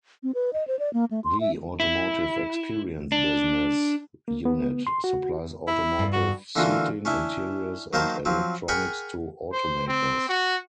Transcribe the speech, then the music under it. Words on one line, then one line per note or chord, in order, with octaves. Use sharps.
The Automotive Experience business unit supplies automotive seating, interiors and electronics to automakers.
C4
B4
D#5
C5
D5
A#3
A3
C6
E5
E4
D4
A#3
B3
C6
F#4
E4
G2
F#4
D3 E3 A#3 D4 F4 F#4
C#4 D4 E4
D#3 F#3 A#3 C5 A5 A#5
F3 F#3 C4
G#4 A#4 F#5 G5 B5 C#6
C5
C4
F#4